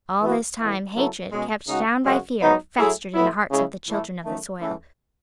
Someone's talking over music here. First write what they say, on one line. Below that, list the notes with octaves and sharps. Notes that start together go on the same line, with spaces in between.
All this time hatred, kept down by fear, festered in the hearts of the children of the soil.
E3 B3 F#4
A2 E3 B3 E4
C#3 F#3 B3 E4 A4
B2 G#3 C#4
C#3 G#3 D#4 F#4
F#2 C#3 G#3 C#4 F#4
G#2 F#3 B3 D#4
A2 F#3 A3 E4 G#4
A2 F#3 B3 E4
C#3 G#3 C#4 E4 G#4
A2 E3 A3 E4
F#2 D#3 A3
C#3 E3 A3